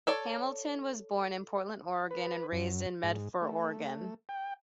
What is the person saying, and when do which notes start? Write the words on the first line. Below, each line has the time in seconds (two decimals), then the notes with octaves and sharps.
Hamilton was born in Portland, Oregon and raised in Medford, Oregon.
0.07 A4 C#5 D5
2.11 B4
2.52 F#2
3.03 G#2
3.42 A3
4.29 G5